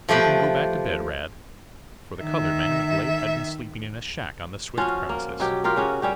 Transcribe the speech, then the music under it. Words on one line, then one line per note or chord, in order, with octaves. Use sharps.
"You can go back to bed, Rad," for the colored man, of late, had been sleeping in a shack on the Swift premises.
F3 A3 G4 B4
D#3 E5
F3 C#4 F4 F#4
A#3
B2 F#3 G4
F4 G4 A#4
C#3 C#4 F#4
G3 C#4 G4